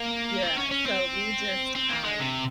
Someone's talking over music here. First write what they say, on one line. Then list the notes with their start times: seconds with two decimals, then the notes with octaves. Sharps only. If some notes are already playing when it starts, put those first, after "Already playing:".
yeah, so we just, um
Already playing: A#3
0.42 C4
0.57 C#4
0.71 C#4
0.86 C4
1.75 C4
1.89 A#3
2.05 G#3
2.19 C3